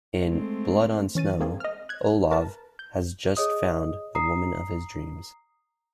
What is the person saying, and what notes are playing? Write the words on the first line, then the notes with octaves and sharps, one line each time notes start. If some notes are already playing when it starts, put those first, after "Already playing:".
In "Blood on Snow", Olav has just found the woman of his dreams.
G#3 A3 C4
E3 C#4 A6 D#7
G#3 A#3 C4 G#4
D#5 F6
F#6 G#6
A#4 B4 A5
G6
G#4 C#5 D#5 D#6
A#5 D#6 C7